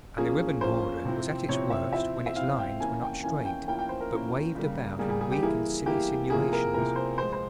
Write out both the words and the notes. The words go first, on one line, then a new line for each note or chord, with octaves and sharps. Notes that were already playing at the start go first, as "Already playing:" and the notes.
And the ribbon border was at its worst when its lines were not straight, but waved about in weak and silly sinuations.
A#2 F3 A#3 C#4 G#4
A#2 F3 A#3 C#4 C5
C3 F3 C4 E4
C3 F3 C4 E4 C#5
E5
F3 C4 E4 E5
E5
F3 C4 E4 F5
G5
E3 A#3 C#4 E4 G#5
G5
E3 A#3 C#4 E4 G#5
G5
F3 A#3 C#4 E4 G5
G5
C5
A#4
F3 A#3 C#4 E4
C#3 G3 A#3
C#3 G3 A#3 G#4
G#4
G#4
G4
E3 A#3 E4 G#4
E3 A#3 E4 G4
C3 F3 A#3 E4 G#4
A#4
C3 F3 A#3 E4 A#4
C5
A#2 F3 G#3 C5
C5